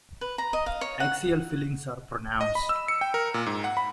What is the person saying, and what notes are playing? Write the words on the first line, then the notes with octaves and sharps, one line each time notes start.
Axial fillings are pronounced.
B4
A#5
D#5
F5
C#5
F#5
D#5
B5
E6
C#7
G5
A#4
A#2
G#2
F#5
B5